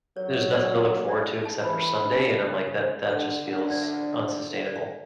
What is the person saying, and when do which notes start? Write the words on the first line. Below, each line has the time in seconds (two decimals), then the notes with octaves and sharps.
there's nothing to look forward to except for Sunday, and I'm like, that that just feels unsustainable.
0.17 F#3 C#5
0.54 D5
1.09 D5
1.27 E5
1.45 A5
1.64 E3 B5
1.82 B5
2.00 D3 B5
2.12 G#5
2.19 A5
2.38 C#3
3.10 D3 F#5
3.47 D3 F#5
3.59 E5
3.70 D5
3.82 E5
4.57 E5
4.66 D5
4.76 E5